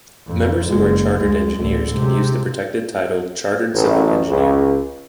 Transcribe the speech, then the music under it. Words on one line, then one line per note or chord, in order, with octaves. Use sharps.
Members who are Chartered Engineers can use the protected title Chartered Civil Engineer.
F2
F#1 G#3
D2 G#3
A1 D2
C3 G#3
A1
C#2